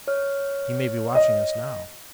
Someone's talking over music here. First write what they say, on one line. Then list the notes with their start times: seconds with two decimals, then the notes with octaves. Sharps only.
"He may be watching us now."
0.08 C#5 F6
1.15 D#5